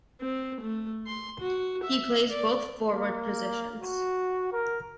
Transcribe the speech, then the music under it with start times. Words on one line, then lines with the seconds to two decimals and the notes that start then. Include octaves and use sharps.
He plays both forward positions.
0.21 C4
0.61 A3
1.07 C6
1.40 F#4
1.84 E5
2.30 D5
2.91 A#3
3.80 F#4
4.53 A#4